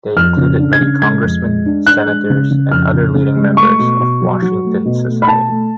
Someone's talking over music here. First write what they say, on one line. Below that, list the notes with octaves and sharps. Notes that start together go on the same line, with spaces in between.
They included many congressmen, senators, and other leading members of Washington society.
F2 F6
C#3
D4
G#6
C#3
G#3 G#6
F2
G#3
D4
D4 F#6
G#3
C#3
C#3
F2 F6
C#3
C#3
G#3
A3 C#6
B2
B2
F#3
F#3
A3
B2
A3
B5
B2 A5
A3